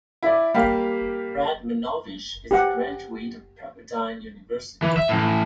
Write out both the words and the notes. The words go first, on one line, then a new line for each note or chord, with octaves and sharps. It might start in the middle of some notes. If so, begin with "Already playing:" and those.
Radmanovich is a graduate of Pepperdine University.
E4 D5
G3 A#3 G4 F5
G4 F#5
E3
E5
A2 E3